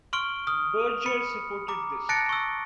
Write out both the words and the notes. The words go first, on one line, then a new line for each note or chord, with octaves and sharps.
Berger supported this.
C6 C#6 F6 D7 G7
D#6 F6
B5 C#7
A#5 D6
A5 F#6 A6 A#6 C#7 D7
C#6 E6